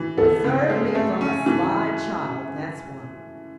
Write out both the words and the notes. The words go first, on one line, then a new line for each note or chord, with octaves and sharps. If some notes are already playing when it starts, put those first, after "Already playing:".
Preserve me from a sly child, that's what.
Already playing: E3
B3 A4
C#3
G#3
A3
C#4
E3